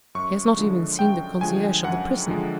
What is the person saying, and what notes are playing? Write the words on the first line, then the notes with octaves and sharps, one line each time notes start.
"He has not even seen the concierge of the prison."
F#2 C#6
D3 F3 G#3
F#2 G5
D3 F3 G#3 G#5
F#2 F#5
D3 F3 G#3